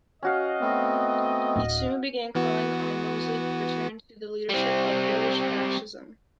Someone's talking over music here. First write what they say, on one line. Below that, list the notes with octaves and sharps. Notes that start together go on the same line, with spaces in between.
He soon began calling on Mosley to return to the leadership of British fascism.
C#4 F#4 D#5 F5
A3 B3 C4
D1 D2
E3 B3 F#4
G3 C4